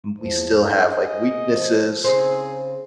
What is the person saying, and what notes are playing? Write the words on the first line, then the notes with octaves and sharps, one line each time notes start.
we still have, like, weaknesses
E2 F3
G#4 D#5
F3
C#3 C4 D#4 G#4 C5